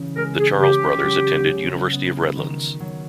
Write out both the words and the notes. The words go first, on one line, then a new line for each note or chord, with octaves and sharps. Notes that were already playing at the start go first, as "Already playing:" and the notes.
The Charles brothers attended University of Redlands.
Already playing: C#3 E3
G#3 A#4
G#4
C#3 G4
F#3
C#3
B3
D#3
F#3